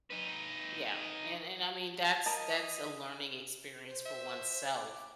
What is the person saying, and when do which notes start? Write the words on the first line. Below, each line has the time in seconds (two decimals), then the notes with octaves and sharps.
Yeah, and and I mean, that's that's a learning experience for oneself,
0.10 D#4 B4
2.26 A#4 D#5 A5
3.87 C5
4.06 E5
4.75 D6